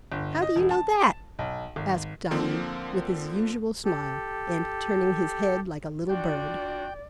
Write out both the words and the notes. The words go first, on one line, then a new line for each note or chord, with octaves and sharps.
"How do you know that?" asked Diamond, with his usual smile, and turning his head like a little bird.
G1
D#5
E1
A5
B1
G#1
D3 F3 A#3 C4
G4 A4
D4 F4 F#4 D5 G5